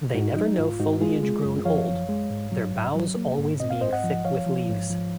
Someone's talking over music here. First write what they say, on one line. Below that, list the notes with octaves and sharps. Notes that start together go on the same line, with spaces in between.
They never know foliage grown old, their boughs always being thick with leaves.
G#2 D#4 F#4
F#3 D#4
G#2 F4
G#2 D#4 F#4
G#3 F4 G#4
G#3
F#2
F3 C#5 F5
F#2
G#3
G#2
F#3
G#2
F#3
A#3
G#2
C4 D#5
F5
G#2 C5 D#5
D#5 F#5
F3
F3 C#5 F5
F3
G#2
F3